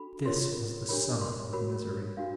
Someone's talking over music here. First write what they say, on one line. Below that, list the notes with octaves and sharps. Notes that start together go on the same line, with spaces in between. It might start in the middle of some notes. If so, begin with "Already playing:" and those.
This was the summit of misery.
Already playing: D4 F#4 A4 B5
F4 A#4 C#5 C6
D4 G4 A#4 C#5 B5
C6
F#4 A#4 C#5 B5
D4 F#4 F5